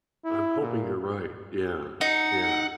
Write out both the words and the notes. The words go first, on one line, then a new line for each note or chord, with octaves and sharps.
I'm hoping you're right, yeah. Yeah,
E4
A#2
D#4 F#5